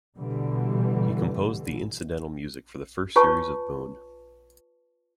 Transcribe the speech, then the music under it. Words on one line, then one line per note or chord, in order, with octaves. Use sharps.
He composed the incidental music for the first series of "Boon".
B2 D3 E3 G3
F4 B4 C#5 G#5 A5 C#6